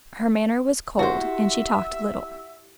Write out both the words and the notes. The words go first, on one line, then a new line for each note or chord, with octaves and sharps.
Her manner was cold, and she talked little.
E4 F#4 G4 C5 E5